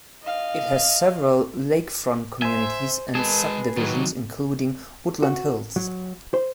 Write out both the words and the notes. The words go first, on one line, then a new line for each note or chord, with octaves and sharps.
It has several lakefront communities and subdivisions, including Woodland Hills.
D#5 F5
C5 E5 G#5
G#3 G#4 B4 A5
D#3 F#3
F#4
F#3
C5